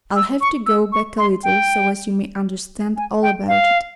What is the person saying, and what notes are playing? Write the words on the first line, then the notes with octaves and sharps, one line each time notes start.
I'll have to go back a little so as you may understand all about it.
E6
C#6
E6
C#6
C6
G5
G#5
G5
F5